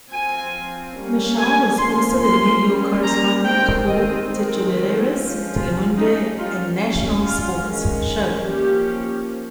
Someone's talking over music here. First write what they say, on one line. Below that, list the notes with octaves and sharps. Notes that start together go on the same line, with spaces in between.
Michele was also the New York correspondent for "Titulares Telemundo," a national sports show.
F3 C4 G#5
G3 A#3 C#4
G#5
F3 A#3 C#4 C6
C6
G3 A#3 C#4
A#5
D#3 G#3 C4 G5
D#5
D#3 G#3 C4
F3 G#3 C#4
F4
G3 C#4 D#4
F4
G3 C#4
F4
D#3 G#3 C#4
F3 A#3 C#4 G4